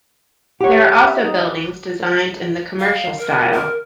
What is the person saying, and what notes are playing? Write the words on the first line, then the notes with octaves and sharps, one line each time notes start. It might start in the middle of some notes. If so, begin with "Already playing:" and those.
There are also buildings designed in the Commercial style.
G4 C#5 F#5
E5
D#4
F5
A#4
A#4